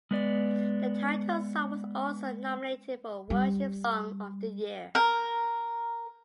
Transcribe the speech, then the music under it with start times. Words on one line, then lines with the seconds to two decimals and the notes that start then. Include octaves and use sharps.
The title song was also nominated for Worship Song of the Year.
0.11 G#3 B3 D5
3.30 G3
4.95 A#4